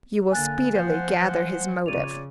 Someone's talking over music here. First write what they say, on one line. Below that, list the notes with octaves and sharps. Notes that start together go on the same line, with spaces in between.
You will speedily gather his motive.
D3 A#3 G#5 F#6 A6
F3 C5 F#5
C#3 F4 C#5 D5 D#7 F7